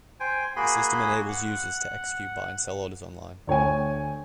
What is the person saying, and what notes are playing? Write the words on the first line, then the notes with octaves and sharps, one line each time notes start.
The system enables users to execute buy and sell orders online.
C5 G5 G#5
A#3 F#4 G#4 G#5 B5 C6
F#5
D2 C#5 G5 G#5